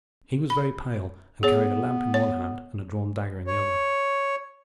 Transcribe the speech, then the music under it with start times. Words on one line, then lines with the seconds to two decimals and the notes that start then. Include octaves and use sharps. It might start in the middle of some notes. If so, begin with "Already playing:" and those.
He was very pale, and carried a lamp in one hand and a drawn dagger in the other.
0.50 B5
1.43 B3 G#4 C#5
2.14 C#5
3.47 C#5